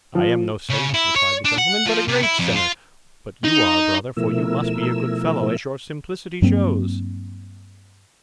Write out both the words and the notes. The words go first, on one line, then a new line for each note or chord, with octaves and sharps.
"I am no saint," replied the gentleman, "but a great sinner; but you are, brother, for you must be a good fellow, as your simplicity shows."
F3
C#3
E4
C#5
D4
F#5
F3
C3
E4
F2
F4
D#4
B2 F3 A3 E4 A#4 E6
G2 F#3 A#3 C4